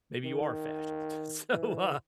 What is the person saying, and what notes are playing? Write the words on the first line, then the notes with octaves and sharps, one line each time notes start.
Maybe you are a fascist." So, uh,
D#3
E3